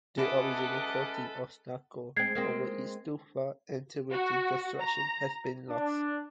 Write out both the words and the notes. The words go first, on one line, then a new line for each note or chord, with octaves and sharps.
The original coating of stucco over its tufa and travertine construction has been lost.
G#3 C#4 E4 F#4 A4 B4 D6 D#6
G#3 C4 G#6 C7
G#3 A#3 C4
F#4
A#5
D4